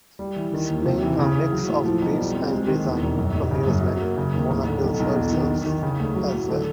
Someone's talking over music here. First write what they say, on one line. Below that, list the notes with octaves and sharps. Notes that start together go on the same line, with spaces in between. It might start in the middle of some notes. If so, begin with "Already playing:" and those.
Displaying a mix of grief and resigned amusement, Mona kills herself as well.
G3
E3
D#3
D#2
C3
E3
C#3
E3
F#3
A2
F3
B1
G3
C4
G#3
D#3
E2
E1
F#2
G#1
C#3
F#2
F#3
A#3
C#3
D#2
A1
D3
B1
B1
E2
D#3
D#3
D#3
C#3
D2
F#3
A2
D3